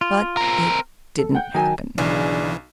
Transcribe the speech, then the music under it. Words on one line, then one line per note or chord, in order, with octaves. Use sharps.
But it didn't happen.
F4
C4 A#4
A4
F#5 G5 G6
D#3 F#3 D#5 G#5 A5
B1 C#3 E3 D4